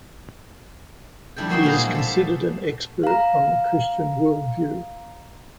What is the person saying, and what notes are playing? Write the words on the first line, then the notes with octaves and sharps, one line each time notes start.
He is considered an expert on the Christian Worldview.
F2 G3 D4 E4 A4 G5
F#3 A#3 F#4 C5 D#5 G5
A#2 G#3 E4 G4 F5
A#3 F4
A4 E5
F5 A#5